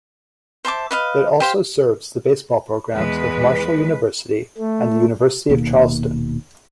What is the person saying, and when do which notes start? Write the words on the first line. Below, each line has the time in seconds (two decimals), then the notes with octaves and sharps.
It also serves the baseball programs of Marshall University, and the University of Charleston.
0.65 C5 E5 A5 D6
0.91 B4 D#5 F5
1.40 G4 C5 F5
2.95 E2 G#3 B4
4.58 A3
5.49 D#1 B2 D#3 A#3